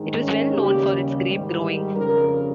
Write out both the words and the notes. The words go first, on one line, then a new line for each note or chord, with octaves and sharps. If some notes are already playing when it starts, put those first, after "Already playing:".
It was well known for its grape growing.
Already playing: G#2 D#3 G#3
C#4
D#2 C#3 G3 G4
G#2 D#3 G3
F2 C#3 G3 A#4